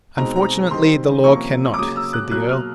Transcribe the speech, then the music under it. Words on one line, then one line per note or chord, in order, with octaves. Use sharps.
"Unfortunately the law can not," said the Earl.
B2 G#3 C4 D#4 A#5
A#5
D#3 G3 C4 D#4 C6
C3 F3 A#3 C#4 C#6
D6
C#3 F#3 A#3 D#6
E6
F#6
B2 F#3 A#3 F#6
F6